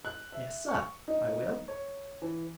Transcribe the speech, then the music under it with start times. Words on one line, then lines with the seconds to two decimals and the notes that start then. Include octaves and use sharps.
"Yes, sir, I will."
0.05 F#6
0.32 E5
0.68 C#6
1.08 D#4
1.68 C#5
2.22 E3